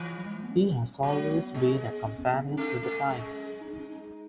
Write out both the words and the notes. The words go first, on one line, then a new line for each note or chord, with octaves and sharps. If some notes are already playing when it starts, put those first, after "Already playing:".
He has always been a companion to the times.
Already playing: E3
F#3
G#3
A3
B3
C#4
F#3
A3
B3
G#3
C#4
B3
B3
C#4
D#4
A3 C#4
A3
G#3
D#4
C#4
D#4